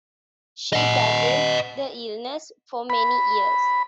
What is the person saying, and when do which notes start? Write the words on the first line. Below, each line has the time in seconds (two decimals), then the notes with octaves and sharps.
She battled the illness for many years.
0.73 D#5 F#5
2.90 B5